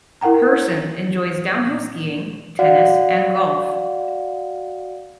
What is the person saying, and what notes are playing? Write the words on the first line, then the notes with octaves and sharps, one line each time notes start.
Persson enjoys downhill skiing, tennis and golf.
E4 A#4 F#5 G5 A#5
F#4 D5 F5 F#5